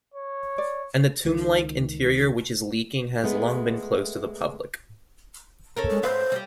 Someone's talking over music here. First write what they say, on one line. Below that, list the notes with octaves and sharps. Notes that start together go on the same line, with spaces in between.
And the tomblike interior, which is leaking, has long been closed to the public.
C#5
D5
C#2 D#3
G#3 A3 B3
C#4 A4 A#4
G#3
G#2 B4 C5 F5
G3 G4